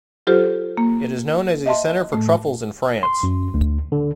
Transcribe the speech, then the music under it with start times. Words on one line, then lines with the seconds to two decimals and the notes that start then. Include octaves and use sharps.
It is known as a centre for truffles in France.
0.27 F#3 F4 G4 A4 C5
0.77 A#3
1.66 D#5 E5 A5 C6
2.13 A2 A3
3.03 C6
3.23 F#2
3.54 D2
3.92 D3